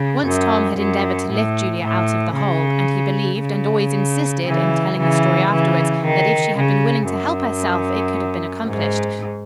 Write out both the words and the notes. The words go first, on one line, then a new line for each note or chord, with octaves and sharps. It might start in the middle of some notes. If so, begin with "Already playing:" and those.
Once Tom had endeavored to lift Julia out of the hole, and he believed, and always insisted, in telling the story afterwards, that if she had been willing to help herself it could have been accomplished.
Already playing: C#3
F#2
F#2
A2
A2
C#3
C#3
C#3 E3
C#3 E3
C#3 E3
D#3
C#3
F#2
G#2